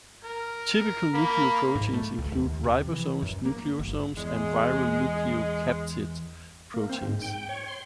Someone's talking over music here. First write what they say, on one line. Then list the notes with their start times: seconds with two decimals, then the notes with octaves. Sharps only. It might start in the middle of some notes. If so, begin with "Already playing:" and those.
Typical nucleoproteines include ribosomes, nucleosomes, and viral nucleocapsid proteins.
0.25 A#4
1.14 A#3 B5
1.75 G#2
1.93 A3
2.18 C#2
2.32 D#2
2.64 C3
2.92 E3
3.22 F#2
3.45 A#3
3.79 G1
4.17 E2 G#3
6.74 A#3
6.89 C4
7.02 G#2
7.22 G5
7.49 C#5
7.68 C6